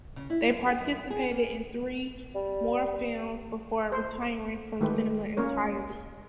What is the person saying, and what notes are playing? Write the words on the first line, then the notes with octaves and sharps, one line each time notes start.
They participated in three more films before retiring from cinema entirely.
C#3
E4
F#2
G4
F#2
G#4
A#3
G3
C5
D#3 G#3 A3 G4 B4
A#3 C#4 A#4 C#5